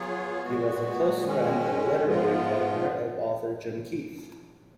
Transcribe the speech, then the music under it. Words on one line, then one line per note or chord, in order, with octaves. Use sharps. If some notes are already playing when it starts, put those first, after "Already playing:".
He was a close friend and literary partner of author Jim Keith.
Already playing: F#3 B3 F4 G#4 C#5
A#2 G#3 B3 F#4
D#3 G#3 C#4
G#2 F3 G#3 B3 F4